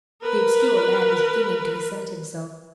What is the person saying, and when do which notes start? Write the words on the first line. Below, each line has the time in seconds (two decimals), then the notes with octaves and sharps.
The obscure lad was beginning to assert himself.
0.22 A#4 B4